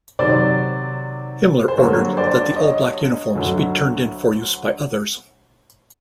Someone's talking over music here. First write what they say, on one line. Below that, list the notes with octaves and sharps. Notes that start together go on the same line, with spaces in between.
Himmler ordered that the all-black uniforms be turned in for use by others.
C3 D#3 F#3 C5 D5
C5
G2 D3 F#3 A#3 C#5
C5 D5
C#5 D#5
D2 D3 F#3